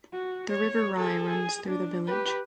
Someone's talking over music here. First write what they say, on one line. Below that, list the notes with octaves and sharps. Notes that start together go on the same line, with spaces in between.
The River Rye runs through the village.
F#4
C#5
G#4 A4
G#4
D4
G4 B4